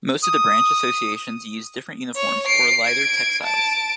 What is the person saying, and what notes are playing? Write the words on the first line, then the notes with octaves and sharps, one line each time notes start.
Most of the branch associations use different uniforms or lighter textiles.
D#6
C#5
C7 D7
G#6 D7
A5 D7